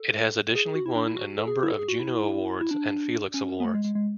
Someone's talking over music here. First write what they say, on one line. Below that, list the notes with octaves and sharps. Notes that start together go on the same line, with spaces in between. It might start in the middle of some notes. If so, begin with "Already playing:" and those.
It has additionally won a number of Juno Awards and Felix Awards.
Already playing: A4
G#4
G#4
F#4
E4
D4
E4
F#4
A4
G#4
E4
A4
G#4
F#4
E4
E4
D4
C#4
B3
A3
G#3
G#3
G#3